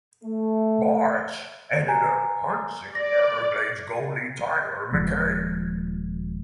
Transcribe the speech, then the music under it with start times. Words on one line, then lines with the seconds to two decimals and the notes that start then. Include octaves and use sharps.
Barch ended up punching Everblades goalie Tyler MacKay.
0.23 A3
1.88 G#5 A#5
2.95 D5 A#6
4.92 D#1 D#2 F3 G#3